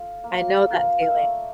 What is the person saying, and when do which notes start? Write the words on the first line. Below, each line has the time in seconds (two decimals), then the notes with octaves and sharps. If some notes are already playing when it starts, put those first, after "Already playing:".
I know that feeling.
Already playing: F4 A4
0.24 A#3
0.60 A4
0.70 F4 A#4
1.02 F5
1.10 E5
1.17 A3 D5